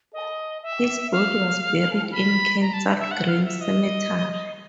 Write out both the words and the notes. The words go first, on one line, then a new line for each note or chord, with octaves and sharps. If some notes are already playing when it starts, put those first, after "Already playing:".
His body was buried in Kensal Green Cemetery.
D#5
E5
F5
B5
A#5
A5
E5
F#5
F5
E5
D#5